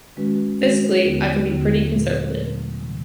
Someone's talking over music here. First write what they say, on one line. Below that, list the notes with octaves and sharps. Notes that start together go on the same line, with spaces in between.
Fiscally, I can be pretty conservative.
D#3 G#3 C#4 F#4 B4
D#3 G#3 C#4 F#4 B4
D#2 D3 F#3 B3 E4
D#2 D3 F#3 B3 E4
A#2 F#3 A3
A#2 F#3 A3
C3 E3 G3